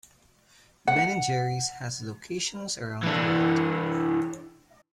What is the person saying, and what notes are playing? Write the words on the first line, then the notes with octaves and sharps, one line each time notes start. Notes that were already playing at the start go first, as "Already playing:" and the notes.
Ben and Jerry's has locations around the world.
F#5
E3 D4